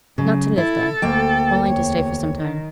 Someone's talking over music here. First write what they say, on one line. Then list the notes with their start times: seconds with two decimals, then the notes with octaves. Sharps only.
'Not to live there: only to stay for some time.
0.18 C#3 F#3
0.58 E4 A4
1.02 D2 A#3 G5
1.66 E2 C#5
2.36 D#3